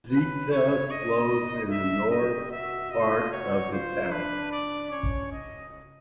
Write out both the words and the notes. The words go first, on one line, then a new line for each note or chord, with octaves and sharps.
Ziethe flows in the north part of the town.
C#4 B4
D4 C#5
D#5
D#4
D4 E5
G4 D#5
F#4 E5
F4 D#5
F#4 C#5
F4 C5
D4 B4
D5
C#4 C#5
D#5